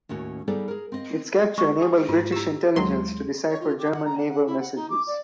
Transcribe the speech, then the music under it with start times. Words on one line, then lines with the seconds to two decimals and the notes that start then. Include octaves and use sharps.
Its capture enabled British intelligence to decipher German naval messages.
0.09 D#2 A2 C#4 F#4
0.48 G3 B3 D#4 G#4 A4 D5
0.68 G#4 A#4
0.92 C4 D#5
1.58 G#3 C#6
1.82 G#4
2.09 G#2 F4 F#4
2.32 E4 G4 E6
2.76 D#2 F#3 G#3 C6
3.48 C#5
3.60 F4
3.77 G4
3.93 F#5
4.05 A#5
4.17 F#5
4.29 F#5
4.46 E4
4.59 F#5
4.75 D#4
4.90 D6
5.06 D5